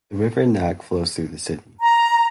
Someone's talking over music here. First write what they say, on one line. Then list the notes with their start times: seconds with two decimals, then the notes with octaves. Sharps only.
The river Nag flows through the city.
1.80 A#5